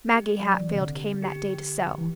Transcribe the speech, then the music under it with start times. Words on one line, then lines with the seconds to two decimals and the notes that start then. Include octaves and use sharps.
Maggie Hatfield came that day to sew.
0.13 G4
0.40 F#3 D5
0.59 E3
0.68 C4
0.73 C3
0.77 D3
0.95 G4
1.22 G4
1.50 G4
1.78 G4
1.98 E3